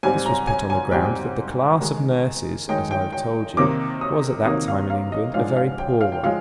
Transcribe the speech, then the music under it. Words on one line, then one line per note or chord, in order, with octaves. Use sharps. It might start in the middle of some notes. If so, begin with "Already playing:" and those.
This was put on the ground that the class of nurses, as I have told you, was at that time in England a very poor one.
G#2 G3 C4 G#5
A#5
G#5
G#5
G#2 G3 C4 G5
D#3 G#3 D#4
D#3 G#3 D#4 G5
G5
G5
C3 D#3 A#3 D#4 D6
D#6
C3 D#3 A#3 D#4 D#6
F5
F5
D#5
G#2 F3 G#3 D4 F5
F5
G5
F5
G5
F3 G#3 F5